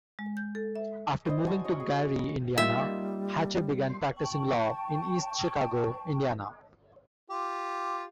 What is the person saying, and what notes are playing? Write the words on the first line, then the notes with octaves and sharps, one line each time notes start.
After moving to Gary, Indiana, Hatcher began practicing law in East Chicago, Indiana.
G#3
G6
A4
E5
E4 C5 D5 D#5
F#4 G#5 A5
C#5 D#5
G#4
A#5 B5
G3 A#3 D#4 F4 E5
G5 A5 C#6
F4 G4